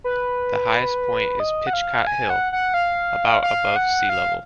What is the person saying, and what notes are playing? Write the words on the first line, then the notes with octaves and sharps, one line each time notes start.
The highest point is Pitchcott Hill, about above sea level.
B4
D#5
F#5
F5
G#5
F#5
F#5
F5
F5
F#5
F5